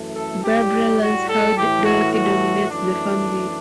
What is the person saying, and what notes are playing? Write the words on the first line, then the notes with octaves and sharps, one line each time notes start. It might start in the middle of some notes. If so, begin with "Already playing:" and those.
Barbara learns how Dorothy dominates the family.
Already playing: F#2 E3 A3
A4
A2 G3 G4
F#4
A4
A2 E3 A3 G4
F#4
F#4
F#2 E3 A3 D4